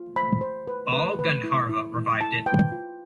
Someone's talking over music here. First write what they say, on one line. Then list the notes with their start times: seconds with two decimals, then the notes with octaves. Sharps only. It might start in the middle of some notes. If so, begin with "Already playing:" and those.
Bal Gandharva revived it.
Already playing: F4
0.16 C5 B5
0.41 C5
0.68 B4
0.93 B4
1.19 B4
1.44 E4
1.69 E4
1.95 E4
2.21 E4 A5
2.46 B4 G5
2.72 F4